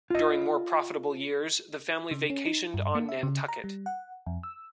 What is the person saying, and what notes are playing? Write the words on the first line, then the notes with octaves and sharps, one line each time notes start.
During more profitable years, the family vacationed on Nantucket.
F4 D#5
C#3
C#4
D#4
G2
A#3
E5
C#3
A#5
G3
F#5
F2
E6